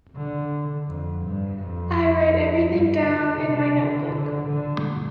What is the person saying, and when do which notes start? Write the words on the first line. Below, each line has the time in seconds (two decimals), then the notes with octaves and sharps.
I write everything down in my notebook.
0.16 D3
0.88 F2
1.24 G2
1.60 F2
2.33 F2
2.69 G2
3.05 D3
3.41 C3
3.77 D3
4.13 D3
4.48 D3